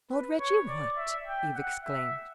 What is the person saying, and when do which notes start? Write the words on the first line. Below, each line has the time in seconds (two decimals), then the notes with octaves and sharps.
"Lord Reggie what!" Eve exclaimed.
0.11 B4
0.39 C#5
0.69 D5
0.97 E5
1.27 G5
1.55 F#5
1.85 E5